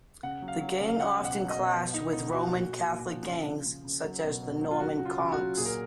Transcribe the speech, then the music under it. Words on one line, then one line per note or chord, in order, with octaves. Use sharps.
The gang often clashed with Roman Catholic gangs such as the Norman Conks.
C#3 F#5
F#3
F5
F#3
C#3
F5
F#3 F#5
B2
F#5
F#3
D#5
B2
B2
B2 D#4
B2 D#4
B2 F#4
A#2 F#4
A#2
A#2
F3
C#3
C#3
C#3
C#3
F#3
B2
B2
F#3
F4
C#3 F#4
C#3 F#4
F4
C#3
F#4
F#3
A#2 G#4
A#4